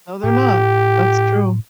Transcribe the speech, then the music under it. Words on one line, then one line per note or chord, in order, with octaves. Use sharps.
No, they're not. That's true.
A2 G4